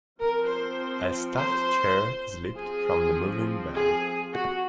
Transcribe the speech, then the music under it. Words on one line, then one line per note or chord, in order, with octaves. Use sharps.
A stuffed chair slipped from the moving van.
F3 C4 A#4
C5
C5
F3 C4 G#4
G#4
F#4